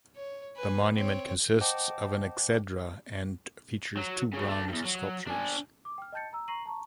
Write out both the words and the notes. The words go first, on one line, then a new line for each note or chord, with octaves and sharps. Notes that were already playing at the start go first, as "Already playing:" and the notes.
The monument consists of an exedra and features two bronze sculptures.
C#5
B4 G#5
C4 C#5
C5 D#5 F#5 G5 A5 D6
F#3
C#3 F#3
A3 D4
E2 G2
F#3
D4 G#5
D6
G5 F6
D#5 G5 A5 G6 A6 C#7
A#5 E6
A#5 C#6 A#6 C7 D#7 F#7
A5 A#5 C#6